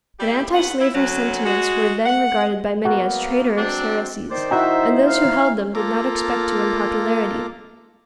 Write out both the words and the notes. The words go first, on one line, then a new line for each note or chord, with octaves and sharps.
But antislavery sentiments were then regarded by many as traitorous heresies; and those who held them did not expect to win popularity.
G3 E4 G4
D#2 B3 F#5
E4
D2 F#3
G#3 F#4
F#5
A#3 B3 F#4
F#3 C4 D4
D#3 C5 D5
D#4 E4 F#4 E5 G5
F5
A#3 F4 A4 A#5 D6